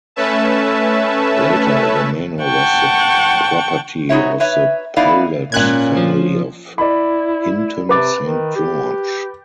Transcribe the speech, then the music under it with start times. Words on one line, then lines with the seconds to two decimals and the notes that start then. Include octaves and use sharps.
Later the manor was the property of the Powlett family of Hinton Saint George.
0.16 A3 C#4 B4 E5 A5
2.42 F#5 G5 A5 C#6
4.09 B3 D#4 F#4 C#5 E5
4.40 B4 C#5 E5
4.96 G3 B3 D#4 E4 D5 F5
5.52 G#1 A#2 C#4 F#6 G#6
5.97 F3
6.78 E4 D5 B5
7.89 C3 B4 D6 A6
8.22 D#3
8.56 G4